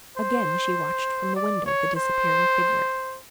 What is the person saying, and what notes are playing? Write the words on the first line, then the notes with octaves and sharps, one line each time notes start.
Again she watched from the window the disappearing figure.
C5
D5
C#5
C5